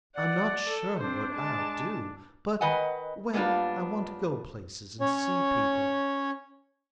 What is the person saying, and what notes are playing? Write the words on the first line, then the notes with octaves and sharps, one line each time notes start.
I'm not sure what I'll do, but--well, I want to go places and see people.
D5 F#5
A4
C4 D4 C5
G#3 A5
D#3 B4 D#5 F#5 G#5
F#2 G3 A#3 B3 D4 F4
C#4 C#5